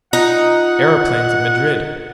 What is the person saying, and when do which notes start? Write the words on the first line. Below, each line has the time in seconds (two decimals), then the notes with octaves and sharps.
Aeroplanes at Madrid!
0.13 D#4 F4 F#5